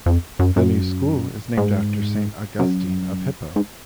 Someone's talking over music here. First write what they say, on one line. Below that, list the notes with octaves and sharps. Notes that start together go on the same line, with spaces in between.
The new school is named after Saint Augustine of Hippo.
F2
F#2
F#2
G#2
F#2
G#2